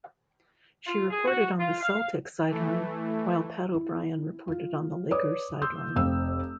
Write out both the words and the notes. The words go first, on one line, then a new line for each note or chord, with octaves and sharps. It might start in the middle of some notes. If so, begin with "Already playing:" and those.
She reported on the Celtics' sideline while Pat O'Brien reported on the Lakers' sideline.
F4
G#4
F#4
F4
F5
E3 A3
E4
F4
B4 C#5 D5 D6 D#6
C6 D#6 E6 G6
F1 C4 F5 E6